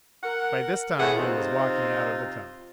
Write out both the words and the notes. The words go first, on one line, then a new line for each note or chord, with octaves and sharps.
By this time he was walking out of the tunnel.
A#4 F#5
A2 E3 G#4 F#5
C3 C4 D#4 F4